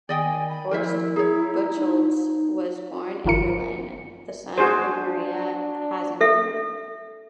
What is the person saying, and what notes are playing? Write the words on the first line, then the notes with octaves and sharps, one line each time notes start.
Horst Buchholz was born in Berlin, the son of Maria Hasenkamp.
D#3 D5 D#5 G5 G#5
B5
F3 E4 A#4 C5 E5
G#4 C#5 A#5
D#4
G1 D#3 F3 F4 A#4 C#7
D4 F#4 G#4 C5
A4 E5